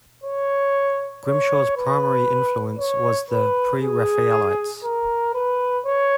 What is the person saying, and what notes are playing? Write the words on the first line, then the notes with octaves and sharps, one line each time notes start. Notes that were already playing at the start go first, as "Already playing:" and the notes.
Grimshaw's primary influence was the Pre-Raphaelites.
C#5
C#5
B4
C#5
B4
G#4
A#4
B4
C#5